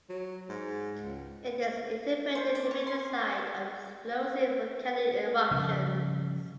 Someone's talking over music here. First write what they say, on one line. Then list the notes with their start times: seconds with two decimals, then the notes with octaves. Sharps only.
It is interpreted to be the site of explosive volcanic eruptions.
0.09 F#3
0.49 G#2
1.02 C#2
2.35 C5
2.55 D5
2.71 C#5
2.87 C6
5.51 C#3 F3 G3